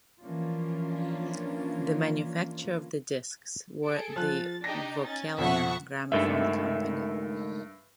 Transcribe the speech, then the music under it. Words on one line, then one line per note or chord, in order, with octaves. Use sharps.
The manufacturer of the discs were the Vocalion Gramophone Company.
E3 F3 A#3 C#4 D4 F4
G#4 A4 D7
F3 F#6 A6
D4 D#4 G4 A#6
C#4 A6
F2 B2 F3 E5 F#5 C#6
C#2 G2 D#3 A3 E5